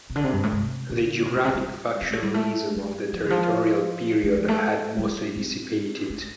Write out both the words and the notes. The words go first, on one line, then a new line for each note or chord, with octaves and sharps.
The geographic factionalism of the territorial period had mostly dissipated.
C3
D3
C3
G2
A2
C3
D3
C3
A2
C3
G3
C4
A3
G3
A3
G3
F3
D3
F3
A3
F3
A3
G3
C4
A3